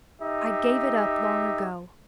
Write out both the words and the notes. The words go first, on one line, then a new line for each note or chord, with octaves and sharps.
I gave it up long ago.
D#4 G4 E5